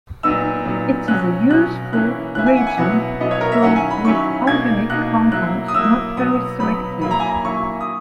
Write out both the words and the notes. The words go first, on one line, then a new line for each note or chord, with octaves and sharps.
It is a useful reagent, though with organic compounds, not very selective.
A#2 F#3 B3 D#4 E6
A#2 F#3 B3 D#4
B2 F#3 C#4 F#6
B2 F#3 C#4 F#6
E3 A#3 C#4 E4 F#6
E3 A#3 C#4 E4 F#6
G#5
F#5
G#5
B2 F#3 B3 E4 F#5
B2 F#3 B3 E4 D#5
C#5
A#4
E5
D#3 F#3 C#4 E4 F#5
G#5
B5
D#3 F#3 C#4 E4 C#6
B2 A#3 D#4 G#6
B2 A#3 D#4 F#6
F#3 A#3 E4 F#6
D#6
F#3 A#3 E4 E6
B2 F#3 B3 D#6
B2 F#3 B3 B5
F#3 A#3 E4 B5
A#5
G#5
A#5
F#3 A#3 E4 C#6
D#6